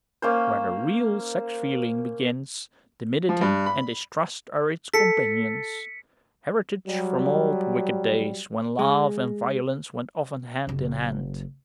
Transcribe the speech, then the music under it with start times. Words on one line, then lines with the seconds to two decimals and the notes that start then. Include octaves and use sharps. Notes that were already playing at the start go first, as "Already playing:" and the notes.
Where the real sex feeling begins, timidity and distrust are its companions, heritage from old wicked days when love and violence went often hand in hand.
0.22 A#3 C#4 C5
3.29 F3
3.41 G2
3.66 B5
4.94 A4 B6 C#7
6.88 F#3 G3
8.79 G#3
10.67 F#1 F#3